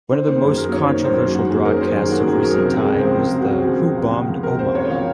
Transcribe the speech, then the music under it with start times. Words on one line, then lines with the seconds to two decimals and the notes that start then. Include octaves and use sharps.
One of the most controversial broadcasts of recent time was the Who bombed Omagh?
0.12 D#3 C5
0.27 A#3 C5
0.42 F#2 G#4
0.57 F#3 A#4
0.73 D#3 C#5
0.88 A#3
1.04 F#2 C5
1.19 F#3
1.34 D#3 F#4
1.50 A#3 G#4
1.65 F#2 A#4
1.81 F#3 C5
1.96 D#3 G#4
2.12 A#3 F#4
2.28 F#2 G#4
2.43 F#3 A#4
2.58 C3 A#4
2.73 C#2 G#4
2.89 C#2
2.99 C5
3.04 F3
3.20 C3 A#4
3.35 C#2
3.41 F#4
3.51 C#2
3.62 F3 G#4
3.81 C3
3.98 C#2
4.13 C#2
4.29 F3
4.43 C3 A#4
4.59 C#2 C5
4.74 C#2 C#5
4.90 F3 F5